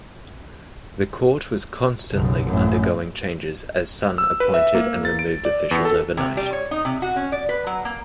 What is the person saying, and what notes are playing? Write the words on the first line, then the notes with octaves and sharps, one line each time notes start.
The court was constantly undergoing changes as Sun appointed and removed officials overnight.
F#1 B1
A1 F#2
E6
B4
E5
A#3
A6
D7
D5
E2
A4
C3
G3
C#5
D#4
C3
F#4
C#4
D5
B4
F#3
A#3